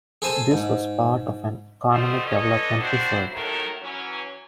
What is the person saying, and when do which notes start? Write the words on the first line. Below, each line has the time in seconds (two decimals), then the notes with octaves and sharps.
This was part of an economic-development effort.
0.22 G#4 A4 C5 G#5 A5
0.51 G#2
1.90 F3 G3 A3 F#4 C5 D#5
2.26 C#4 A4 B4 D5 D#5
2.78 C4 D4 E4 F#4 C5
3.31 D#2 A2 D#3 F#3 A3 A#4
3.81 E3 F#3 C#4